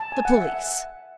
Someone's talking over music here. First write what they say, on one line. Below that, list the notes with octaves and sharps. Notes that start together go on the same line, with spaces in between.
The police.
A5
G#5
F#5
E5